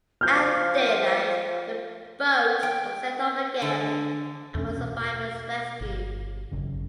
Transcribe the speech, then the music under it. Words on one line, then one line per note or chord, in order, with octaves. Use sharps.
At daylight the boats were sent off again and more survivors rescued.
F3 F6 G6
G5
D3
E2 B2 A3 C#4
B2
G1
G#1 F#2 C#3